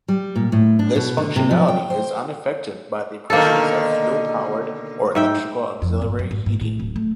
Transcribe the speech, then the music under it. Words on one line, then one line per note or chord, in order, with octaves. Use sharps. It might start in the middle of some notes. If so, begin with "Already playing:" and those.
This functionality is unaffected by the presence of fuel-powered or electrical auxiliary heating.
G3
A#2
A2
D4
B2
D3
C3
F3
G5
C5
B2 D3 D#3 A#3 A4
G#2 E5 G5
F2
G1
F#2
G#2
G#2
A2
D1
A3